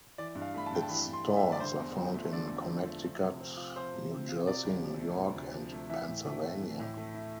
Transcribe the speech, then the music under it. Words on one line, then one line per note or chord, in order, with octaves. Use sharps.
Its stores are found in Connecticut, New Jersey, New York, and Pennsylvania.
E3 D5
G2
F5
A3 B5
A5
G2 G5
A5
E3 B5
G2
C6
A3
E5
G2
D5
D3 C5
E2
F3
A3
D3 D5
E2
F3
A3
F3
C3
C4
F4
F3 C5
C3
C4
F4
C3 D5
D2
F3
A3
C3
D2
F3
A3
E3 E5
A2
A3
E4
E3
A2
A3
E4